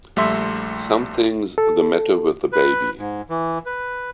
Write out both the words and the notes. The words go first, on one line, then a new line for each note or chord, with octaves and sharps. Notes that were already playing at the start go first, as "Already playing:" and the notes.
Something's the matter with the baby!
A#1 G3 A3 E5 C6
A4
B4
G#2
E3
B4